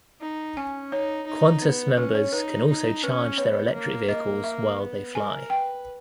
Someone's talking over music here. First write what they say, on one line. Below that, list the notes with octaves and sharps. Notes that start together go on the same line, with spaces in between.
Qantas members can also charge their electric vehicles while they fly.
D#4
C#4 G#5
D#4 C#5
D#4
B3
C#4 B4
C#5
D#4 B4
D#4
C#4 B4
B3 C#5
A#3
A#3 D#5
E5
B3
A#4 G#5
B4 G5